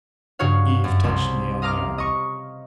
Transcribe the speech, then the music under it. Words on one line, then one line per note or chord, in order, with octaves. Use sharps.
Eve touched me on the arm.
G2 C#3 F#4 C#5 F5
F#2
C2
D#5 F5 A#5 D6 F6
D#5 C#6